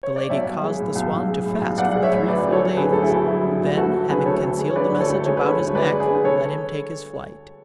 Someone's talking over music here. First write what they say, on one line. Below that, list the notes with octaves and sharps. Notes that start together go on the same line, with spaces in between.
The lady caused the swan to fast for three full days; then having concealed the message about his neck, let him take his flight.
C#5
D5
B1 C#5 E5
B1
G#3
A2
B1
B1
G#3
A2
B1
B1 D5 F#5
G#3 F#5
C#5 E5
A2
D2 B4 D5
D2
A4 C#5
F#3
D3 G#4 B4
D2 A4
E4 G#4
D2
F#3 E4 G#4
D3
D2
D2 F#4 A4
F#3
D3 G#4 B4
D2 A4 C#5
D2
G#3
C#5
D3 B4 D5
D2
A4 C#5
D2
G#3 C#5
D3 B4
A4 C#5
D2
C#5
D2 B4 D5
G#3
G#4 B4
D3
B4
A4 C#5